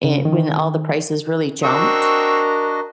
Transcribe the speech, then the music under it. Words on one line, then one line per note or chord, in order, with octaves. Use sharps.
an when all the prices really jumped
C#3
D#3
C4 D4 F#4 A#4 D#5 C#6 E6